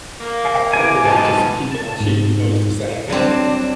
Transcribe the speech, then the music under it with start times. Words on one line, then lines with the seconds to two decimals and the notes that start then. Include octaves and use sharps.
I pointed out to some people and I'm sure you've noticed the same thing.
0.21 A#3
0.73 E3 G#5 D6
1.04 G#2 B2 A5
1.71 A5
2.00 G#2
3.10 F#3 G3 C4 D4